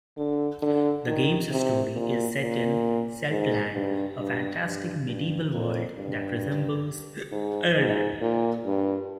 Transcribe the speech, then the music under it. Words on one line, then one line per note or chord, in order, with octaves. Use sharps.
The game's story is set in Celtland, a fantastic medieval world that resembles Ireland.
D3
D3
D#3
C3
A#2
A#2
G#2
G2
G2
G2
G2
F2
G2
G#2
G#2
A#2
G2